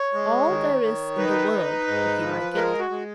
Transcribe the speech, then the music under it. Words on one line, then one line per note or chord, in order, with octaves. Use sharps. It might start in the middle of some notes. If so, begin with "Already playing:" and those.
All there is in the world if you like it.
Already playing: C#5
G#3
D#3
D#3
D#4 B4
D#4
G#2
F3
G#3 A#4
F#4
G#3